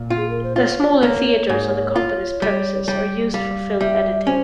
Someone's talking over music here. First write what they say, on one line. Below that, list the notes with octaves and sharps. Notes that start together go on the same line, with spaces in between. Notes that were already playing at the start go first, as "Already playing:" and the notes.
The smaller theatres on the company's premises are used for film editing.
Already playing: A#2
F4
G#4
A#4
C5
F4 C#5
A#3
G#2
F4
G3
G3
G3 F5
G3 E5
C#4 C5